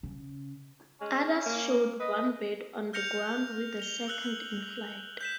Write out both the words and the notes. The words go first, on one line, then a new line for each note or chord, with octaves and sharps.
Others showed one bird on the ground with the second in flight.
C#3
G#3 C#4
A#3
B4 D#5
F6 G6 A#6 C#7 F7
F7 G7
E6 F#6 F#7
G6 B6 E7